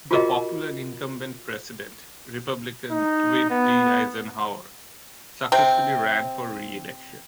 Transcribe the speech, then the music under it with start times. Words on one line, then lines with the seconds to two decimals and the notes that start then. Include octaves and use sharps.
The popular incumbent President, Republican Dwight D. Eisenhower, successfully ran for re-election.
0.11 F4 F#4 G#4 A#4 D#5
2.92 D#4
3.51 B3
5.52 C3 C4